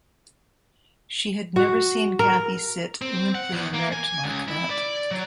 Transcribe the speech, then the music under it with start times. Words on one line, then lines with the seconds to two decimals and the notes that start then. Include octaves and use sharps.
She had never seen Kathy sit limply inert like that.
1.56 F#4
2.19 A#4
3.02 C4
3.35 F#5
3.52 E2
3.74 A#3
3.92 G#5
4.24 C#2
4.48 E4
4.70 D5
5.11 F#3